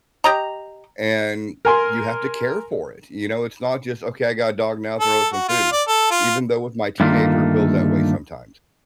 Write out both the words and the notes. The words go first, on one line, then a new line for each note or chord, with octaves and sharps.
and you have to care for it, you know? It's not just, "Okay, I got a dog now, throw it some food." Even though with my teenager, it feels that way sometimes.
G4 D#5 A#5
A#4 G#5 C6
A4
F#4
F4
D5
A4
F4
G2 D3 D#3 A3 A#3 F4